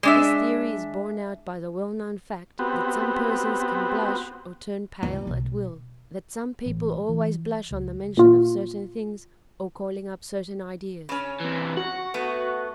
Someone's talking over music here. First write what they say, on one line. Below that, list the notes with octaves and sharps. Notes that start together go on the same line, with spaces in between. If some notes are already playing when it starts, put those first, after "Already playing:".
This theory is borne out by the well-known fact that some persons can blush or turn pale at will; that some people always blush on the mention of certain things, or calling up certain ideas.
G#3 D4 E5
B3 C4 F#4 G4
C#2
B1
A1
E3
C#2
A#2 F4
C#3 C#4
C3 E3
F#4 F#5
A3 B3